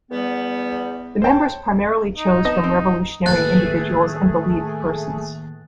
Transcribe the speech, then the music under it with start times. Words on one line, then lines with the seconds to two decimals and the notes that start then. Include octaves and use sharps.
The members primarily chose from revolutionary individuals and believed persons.
0.11 E2 G3 B3
1.22 C5 C#5 G5 A5
2.18 D#4
2.45 B3 D#5 A5
2.64 C4
3.26 D#2 A2 A3 G#4 A4 B4 F#6 A6